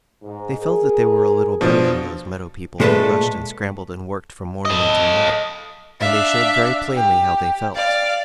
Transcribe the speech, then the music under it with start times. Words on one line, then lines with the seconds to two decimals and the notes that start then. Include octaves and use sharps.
They felt that they were a little better than those meadow people who rushed and scrambled and worked from morning until night, and they showed very plainly how they felt.
0.22 G#2
0.59 G#4 A#4
1.61 B2 F3 D4
2.80 A#2 G#3 A3 E4 A4 B4
4.65 A4 D#5
6.00 D4 E5 F5
6.94 G4
7.75 D5 F5